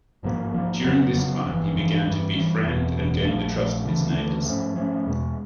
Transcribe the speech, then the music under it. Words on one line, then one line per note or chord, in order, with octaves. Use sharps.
During this time he began to befriend and gain the trust of his neighbors.
G#1 G#2 F3 A#3
G#1 G#2 F3 A#3
F2 C#3 F#3 B3
F2 C#3 F#3 B3
G1 F2 C3 E3
G1 F2 C3 E3
G#1 G2 E3 G3
G#1 G2 E3 G3
F#1 E2 B2
F#1 E2 B2
A#1 A#2 F3 A3
A#1 A#2 F3 A3
D2 C#3 E3 A3
D2 C#3 E3 A3
G#2 F3 A3 C#4
G#2 F3 A3 C#4
E2 B2 G#3